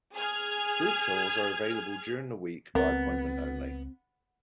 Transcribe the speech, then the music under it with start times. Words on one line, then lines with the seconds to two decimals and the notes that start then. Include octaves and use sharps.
Group tours are available during the week by appointment only.
0.15 G#4 F6 G#6
2.75 C#2 B3 C4 A#4